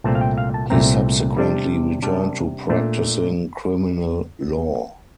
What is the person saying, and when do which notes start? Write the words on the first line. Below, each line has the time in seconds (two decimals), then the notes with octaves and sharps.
He subsequently returned to practising criminal law.
0.04 C2 A#2 A3 C4 A5
0.15 F5
0.21 G5
0.38 F5
0.54 A5
0.70 C2 A#2 A3 C4 A#5
1.37 C3 G3 D4
2.02 C3 G3 D4 A5
2.69 A#2 A3 D4